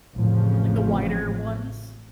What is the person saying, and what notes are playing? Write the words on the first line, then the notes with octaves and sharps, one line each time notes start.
Like the wider ones
A1 F2 C#3 F3